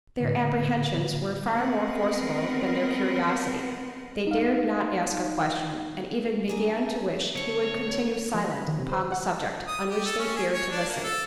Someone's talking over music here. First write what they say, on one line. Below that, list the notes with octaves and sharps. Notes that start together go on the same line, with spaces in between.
Their apprehensions were far more forcible than their curiosity; they dared not ask a question, and even began to wish he would continue silent upon the subject on which they feared to listen.
A2 D3
G#3 B3 C4 A#4 B4 F#5
D#4 F5
D4 G#4 A#4
D3 C4 C#5
F3
B5
D#3
C3
C5
F#5
A5
D#6
G4
A4
C#4
G#4
C#5
D4
A#3
A4